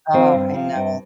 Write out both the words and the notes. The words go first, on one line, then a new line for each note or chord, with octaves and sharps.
Oh, I know.
F3 C4
G2
F3
G2